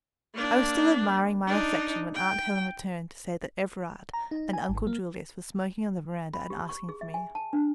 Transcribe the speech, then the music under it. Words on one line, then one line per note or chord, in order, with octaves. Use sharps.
I was still admiring my reflection when aunt Helen returned to say that Everard and uncle Julius were smoking on the veranda and asking for me.
A#3 D4
D4 D#4
G5
A#5
D#4
G#5
G#1
A#3
B5
G4
C#6
G#4
E5
G#5
A5
D4